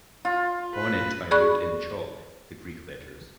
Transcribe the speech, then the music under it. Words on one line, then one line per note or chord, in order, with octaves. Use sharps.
On it I wrote in chalk the Greek letters.
F4
B4
G#4 D5 B5 C#6 F#6